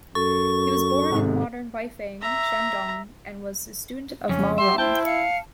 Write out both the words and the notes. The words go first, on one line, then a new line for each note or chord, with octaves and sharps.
He was born in modern Weifang, Shandong, and was a student of Ma Rong.
F#2 A4 C#6
G#1 G#2 C3
E5 A#5
F2 C#3 C#4
G4 E5 C6
E4 C5 G5 A5
F5 C#7